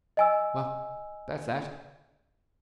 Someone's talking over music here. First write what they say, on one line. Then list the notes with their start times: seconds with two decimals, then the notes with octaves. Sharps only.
Well, that's that.
0.17 D#5 G#5 E6